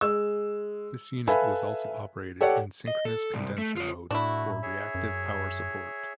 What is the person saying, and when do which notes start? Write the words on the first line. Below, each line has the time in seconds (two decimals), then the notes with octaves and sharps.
This unit was also operated in synchronous condenser mode for reactive power support.
0.01 G#3 E6
1.28 A4 B4 E5 F5 G#5 B5
2.41 G4 A4 C#5 D5 F#5
2.88 D#5
3.05 A4
3.34 C2
3.58 A3
3.77 F4 C#5
4.11 A2 A3 D4 E4 F#4
4.62 G#4 C#5 E5
4.95 F#2